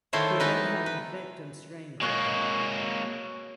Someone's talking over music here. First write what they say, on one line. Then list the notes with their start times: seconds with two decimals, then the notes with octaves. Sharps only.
He then had the victim strangled.
0.13 D#3 A3 E4 F4 C5 C#5
0.40 E3 B3 D#4 B4
0.86 B4
2.01 B2 G#3 A#3 C#5